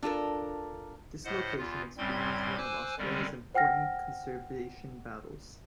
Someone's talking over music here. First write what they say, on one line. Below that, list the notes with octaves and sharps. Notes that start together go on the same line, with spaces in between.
This location experienced one of Australia's important conservation battles.
D4 F4 A4 A#4
A2 C5 D#5 F#5
E2 F4
F#2 A2 G3 C4 C6 G#6
C5 G#5 D6 E6 F#6
D3 D#3 G3 G#3 C4 C#4
C5 F#5 G5 F6 A#6